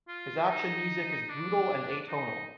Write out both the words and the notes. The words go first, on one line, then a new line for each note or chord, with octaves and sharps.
His action music is brutal and atonal.
F4
D#4
D#4
D4
D#4